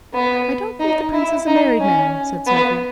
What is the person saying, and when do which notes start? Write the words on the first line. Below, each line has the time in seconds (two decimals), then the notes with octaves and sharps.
"I don't think the prince is a married man," said Sophy.
0.13 B3
0.80 D#4
1.13 E4
1.47 D#4
1.80 C#4
2.47 B3